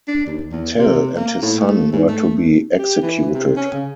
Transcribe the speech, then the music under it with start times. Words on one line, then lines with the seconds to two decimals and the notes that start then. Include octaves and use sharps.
Tell and his son were to be executed.
0.07 D4
0.26 D#2
0.52 E2
0.78 C3
1.16 A#3
1.42 A2
1.59 A3
1.92 G#2
2.08 A3
2.79 G4
3.02 E3
3.34 C3
3.56 C#4
3.73 C#3